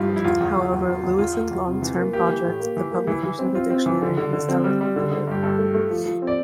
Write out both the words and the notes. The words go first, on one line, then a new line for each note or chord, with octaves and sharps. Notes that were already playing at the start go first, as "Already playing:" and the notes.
However, Lewis's long-term project, the publication of a dictionary, was never completed.
Already playing: G2 E4 F4 G4
F3
E4
E2 F4
E2
E2
E2
E2
E2
E2 F4
E2
E2
C3
E3
A#3
A#3 G4
E3
A2
A#3
E3
A#3
E3 E4
E3
C4
C4 F4
C4
E3
D3
D3
D3
C4
G3
G3
D3
D3
G2 G4
G2 A4
A3
A3
F3
F3
C4
D5